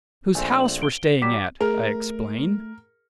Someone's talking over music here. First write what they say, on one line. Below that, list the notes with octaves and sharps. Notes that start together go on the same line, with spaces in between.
"Whose house we're staying at," I explained.
A#1 A3 C4 G#5
F#7
D7 G7
F#3 G3 D6 B6 E7
A3 G#4 A#4